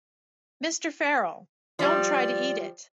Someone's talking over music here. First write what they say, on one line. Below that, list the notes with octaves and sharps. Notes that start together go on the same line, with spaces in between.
Mr. Farrell, don’t try to eat it.
F3 G3 D5